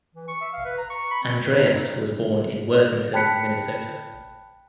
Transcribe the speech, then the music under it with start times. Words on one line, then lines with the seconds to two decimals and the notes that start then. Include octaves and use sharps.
Andreas was born in Worthington, Minnesota.
0.15 E3
0.28 C#6
0.41 E5
0.53 F5
0.65 B4
0.78 A#5
0.90 C#6
1.11 B5
1.23 C4
1.43 B4
1.58 D#4
1.72 C4
3.13 G5 A5 B5 F#6 B6 C#7